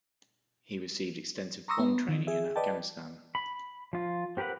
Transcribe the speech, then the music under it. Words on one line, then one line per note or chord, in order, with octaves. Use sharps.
He received extensive bomb training in Afghanistan.
A#5 C6 C#6 D#6 E6 A#6
B3
D#3
G#4 E5
B4 D5 D#5 G5 A5
B5
F3 F4
C4 G4 A#4 B4 F#5